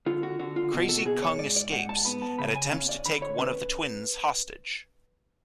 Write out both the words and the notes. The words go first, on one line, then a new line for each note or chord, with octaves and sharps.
Crazy Kung escapes and attempts to take one of the twins hostage.
D3 F4
F#4
D3 F#4
F4
B2 F#4
A4
F#4
B2 G#4
C#5
G#2 D5
D5
G#2 F#5
A5
B3 B5
A5
C#3 B5
G#5
C#4 F5
D5
D3 B5
C#5
C#4 B4